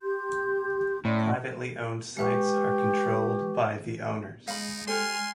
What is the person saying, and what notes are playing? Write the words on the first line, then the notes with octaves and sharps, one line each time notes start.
Privately owned sites are controlled by the owners.
G4 C6 G6
A2 C#4 D5 C6
G#3 G4 B4 C#6
G#3 D#4 F5 B5
G4 A4 C5 G#5 C6 F6